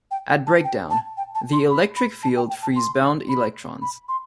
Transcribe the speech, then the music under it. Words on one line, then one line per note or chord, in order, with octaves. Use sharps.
At breakdown, the electric field frees bound electrons.
G5
G5
A5
G5
A5
G5
A5
C6
B5
B5
A5
G5
G5
A5
C6
B5
B5
C6